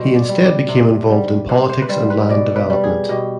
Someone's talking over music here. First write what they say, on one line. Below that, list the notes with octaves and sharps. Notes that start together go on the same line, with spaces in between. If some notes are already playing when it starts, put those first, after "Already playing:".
He instead became involved in politics and land development.
Already playing: B2 G3 C5
D5
G3
D5
C3
G3
C3 C5
C5
B4
G3 C5
B4
B2 D5
B4
G3
G#4
B2 G4